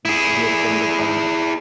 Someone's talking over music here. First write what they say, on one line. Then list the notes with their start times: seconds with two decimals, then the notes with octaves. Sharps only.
Yeah, so he had to get 'em to buy in.
0.05 E4 G#4